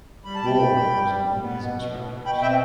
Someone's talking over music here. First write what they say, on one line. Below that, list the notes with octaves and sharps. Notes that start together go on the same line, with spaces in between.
Ward was among his instructors.
G3 B5
A5
B2 G5 B5
B2
G3
G3
G3
G3
B3
B2
B2
B2
B2
B2 G5 B5
C4 E5 G5